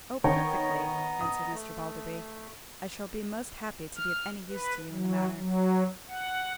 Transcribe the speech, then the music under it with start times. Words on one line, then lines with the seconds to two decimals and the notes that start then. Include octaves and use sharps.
"Oh, perfectly," answered Mr. Balderby; "I shall be most happy to be of any use to you in the matter."
0.24 D#3 B3 C#5 D#5 G5 A#5
1.21 D#6
1.54 A3
3.96 F6
4.50 B4
4.90 F#3
5.34 F#3
6.09 F#5